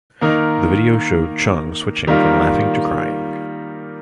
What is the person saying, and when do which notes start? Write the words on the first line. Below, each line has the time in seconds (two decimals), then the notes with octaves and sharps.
The video showed Chung switching from laughing to crying.
0.21 D#3 A#3 D#4 A#4
2.07 D#3 G3 A#3 F4 A#4